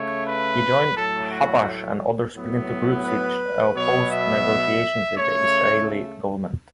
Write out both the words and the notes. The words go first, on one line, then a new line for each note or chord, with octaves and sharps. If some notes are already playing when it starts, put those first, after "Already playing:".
He joined Habash and other splinter groups which opposed negotiations with the Israeli government.
Already playing: C#3 A3 C#5
B4
A2 F#3 A3 A4
F#4
A2 F#3 B3
B4
B2 F#3 B3 C#5
E5
C#3 A3 C#5